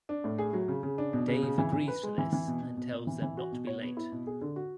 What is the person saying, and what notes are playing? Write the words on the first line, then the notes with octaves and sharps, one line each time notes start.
Dave agrees to this, and tells them not to be late.
D4
A2
G#4
F#3
C#3
C#3
D4
B2
C#3
C#3
E3
E3
B4
G#3
E3
E3
B2
B2
B2
B2
E3
E3
F#4
B2
C#5
B3
E4
B2
G#4
D3
F#4